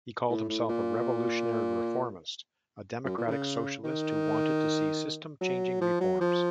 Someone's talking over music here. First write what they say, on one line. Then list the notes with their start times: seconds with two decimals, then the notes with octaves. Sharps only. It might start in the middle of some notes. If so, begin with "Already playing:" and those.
He called himself a "revolutionary-reformist", a democratic socialist who wanted to see system-changing reforms.
0.29 A2
0.49 A2
0.69 A#2
3.05 F#2
3.18 A#2
3.27 D#3
3.31 C#3
3.84 D#3
5.41 F#3
5.81 F3
6.00 F#3
6.21 F3